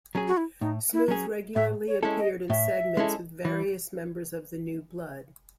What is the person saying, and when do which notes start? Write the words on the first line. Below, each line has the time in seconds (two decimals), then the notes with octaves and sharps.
Smooth regularly appeared in segments with various members of the New Blood.
0.15 F#3 C#4 G#4
0.28 F#4
0.37 E4
0.61 A2 D#4
0.93 E4
1.08 F#3 C#4 G#4
1.55 A2 E5
1.88 C#5
2.03 G#3 C#4 E4 A4
2.19 D#5
2.50 A2 E5
2.97 G#3 C#4 E4 A4
3.45 E3